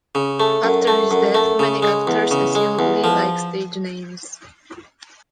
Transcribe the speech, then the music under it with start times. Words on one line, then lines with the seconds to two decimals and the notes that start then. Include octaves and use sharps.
After his death, many actors assumed Lee-like stage names.
0.15 C#3
0.40 A3
0.64 F#2
0.87 A3
1.11 F#2
1.35 A3
1.59 C#3
1.83 G#3
2.07 E2
2.31 C#3
2.55 G#3
2.79 E2
3.04 F3